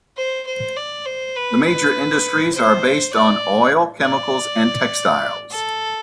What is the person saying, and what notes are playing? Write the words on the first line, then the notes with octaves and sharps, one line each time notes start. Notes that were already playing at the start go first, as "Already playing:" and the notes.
The major Industries are based on oil, chemicals, and textiles.
C5
C5
D5
C5
B4
B4
C5
D5
D5
A4